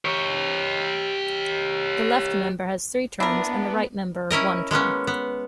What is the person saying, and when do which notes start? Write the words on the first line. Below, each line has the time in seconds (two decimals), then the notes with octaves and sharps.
The left member has three terms and the right member one term.
0.05 G4 C#5
3.20 B3 D4 E4 A#4
4.31 C#4 E4 A#4 D#5
4.71 G#3 A#3 B3 C#4
5.07 B3